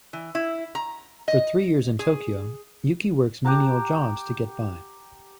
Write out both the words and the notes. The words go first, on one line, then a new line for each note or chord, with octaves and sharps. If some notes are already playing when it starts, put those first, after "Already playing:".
For three years in Tokyo, Yukie works menial jobs to get by.
E3
E4
A#5
D#5
G#4
G4 F#5 A5 A#5